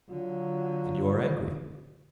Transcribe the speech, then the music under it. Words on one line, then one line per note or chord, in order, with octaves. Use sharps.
And you are angry!
D3 F#3 F4